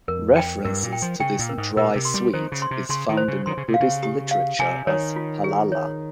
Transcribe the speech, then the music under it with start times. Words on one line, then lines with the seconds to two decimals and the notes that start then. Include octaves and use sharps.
References to this dry sweet is found in the Buddhist literature as "palala".
0.08 F2 A#4
0.36 G5
0.64 G2 A#4
0.83 A#2
0.93 G5
1.02 F3
1.20 C#3 G5
1.39 A#2
1.49 A#4
1.58 G#2
1.77 A#2 A#4
1.95 C3
2.05 C6
2.14 G3
2.33 D#3 C5
2.52 C#3
2.62 C6
2.71 C3
2.89 C#3 C6
3.09 D#3
3.17 C5
3.28 C#3
3.46 D#3 C6
3.57 C#3
3.68 C3
3.74 F5
3.80 C#3
4.03 G4
4.31 F5
4.59 C3 G#5
4.87 D#3 C#5
5.16 F4
5.44 G#4
5.72 C#5